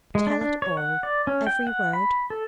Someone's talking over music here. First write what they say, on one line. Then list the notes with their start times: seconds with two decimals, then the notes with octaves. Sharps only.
"Tell it all;--every word!"
0.15 G#3
0.27 D4
0.41 D4
0.62 C#5
0.77 F#5
1.03 D5
1.27 C#4
1.47 G5
1.67 F#5
1.93 B5
2.30 A4